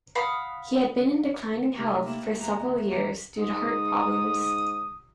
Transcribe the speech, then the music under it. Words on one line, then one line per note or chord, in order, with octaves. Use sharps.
He had been in declining health for several years due to heart problems.
F5 F#5 B5 D#6
C3 A3 D#4 A#4
A#3 E4
E2 A#5
D#2 E3 A#5
G#2 D#6